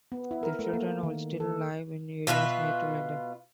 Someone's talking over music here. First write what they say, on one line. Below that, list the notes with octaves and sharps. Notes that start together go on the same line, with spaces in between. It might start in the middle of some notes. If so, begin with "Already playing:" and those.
Their children all still live in areas near to London.
B3
E4
A#4
A3
A#3
D#3
A4
B2 F4 B4 E5